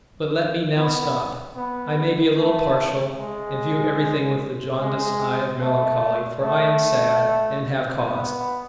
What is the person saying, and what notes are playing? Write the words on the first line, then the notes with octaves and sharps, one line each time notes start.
But let me now stop; I may be a little partial, and view everything with the jaundiced eye of melancholy--for I am sad--and have cause.
B3
B3
A3
G#3
G#3
A3
A3
B3